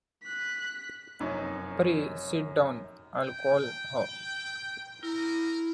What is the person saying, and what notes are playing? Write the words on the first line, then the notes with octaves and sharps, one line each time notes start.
Pray sit down, I'll call her.
F#6 B6
F1 F#2 D#4 C#5
G5
E4 A#4 A#5